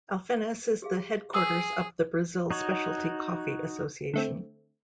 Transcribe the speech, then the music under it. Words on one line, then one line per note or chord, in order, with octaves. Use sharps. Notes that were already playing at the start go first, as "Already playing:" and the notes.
Alfenas is the headquarters of the Brazil Specialty Coffee Association.
G4 G#4 F5
G#4 C#6 D#6 E6
D#4 F#4 C#5
D3 A3 C4